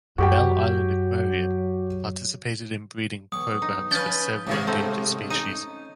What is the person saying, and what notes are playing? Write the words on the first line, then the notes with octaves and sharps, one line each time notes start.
The Belle Isle Aquarium participated in breeding programs for several endangered species.
F#2 F#3 F#4 G4 G5
B1 C#6 D#6
D#4
F3 C#4 B4 G6 A6 G7
G#2 C3 D#3 C#5
A3 C4 D#4
C#4 D#4 D#7